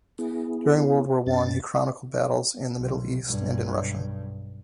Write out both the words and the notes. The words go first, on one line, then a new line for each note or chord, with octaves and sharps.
During World War One he chronicled battles in the Middle East and in Russia.
B3 E4 G#4
F#2 C#4 A6
B1
B1 G2